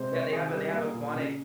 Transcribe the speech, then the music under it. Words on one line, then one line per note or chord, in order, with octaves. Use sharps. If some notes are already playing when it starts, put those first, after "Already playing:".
Yeah, they have they have a Quantic
Already playing: C3 G#3 C5
C3 C#5
D#3 G#4
G3
A#3
A#2
C#3